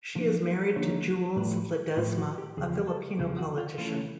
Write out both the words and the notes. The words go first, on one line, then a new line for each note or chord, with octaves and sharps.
She is married to Jules Ledesma, a Filipino politician.
D3 F3 A#3 D#4
D3 F3 A#3 D#4 C#5
A2 F3 A3 B4
A2 F3 A3 F4
F#4
G4
E2 C#3 F3 G#4
A4
E2 C#3 F3
F#4
F4
E3 A3 C#4 F4